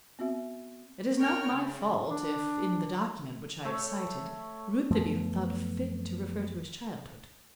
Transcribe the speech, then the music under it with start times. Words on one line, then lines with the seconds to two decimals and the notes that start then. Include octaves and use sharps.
It is not my fault if, in the document which I have cited, Rouletabille thought fit to refer to his childhood.
0.19 B3 C4 F#4 E5
1.17 A#4 C#5 G5 F6
1.50 C#3
2.10 D4
3.64 A3 A4 C#5
4.91 F#2 F3 A3 B3